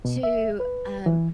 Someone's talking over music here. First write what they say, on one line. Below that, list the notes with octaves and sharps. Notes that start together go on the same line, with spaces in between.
to, um,
B2
E5
B4
E3